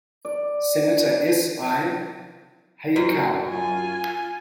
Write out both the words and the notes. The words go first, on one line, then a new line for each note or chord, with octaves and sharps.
Senator S. I. Hayakawa.
D5
F#2
F4 G#5